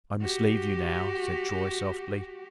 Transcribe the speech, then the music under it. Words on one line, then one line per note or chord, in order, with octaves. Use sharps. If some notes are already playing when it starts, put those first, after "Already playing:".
"I must leave you now," said Troy, softly.
F#4 G4